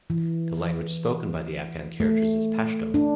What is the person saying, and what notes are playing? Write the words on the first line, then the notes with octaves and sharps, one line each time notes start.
The language spoken by the Afghan characters is Pashto.
E3
A3
D4